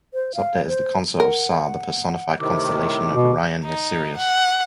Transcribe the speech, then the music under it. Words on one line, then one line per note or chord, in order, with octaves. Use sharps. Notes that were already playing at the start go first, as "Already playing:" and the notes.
Sopdet is the consort of Sah, the personified constellation of Orion near Sirius.
C5
F5
C5
A#4 F#5
A2 C3 D#3 D6
B2
D#4
F#5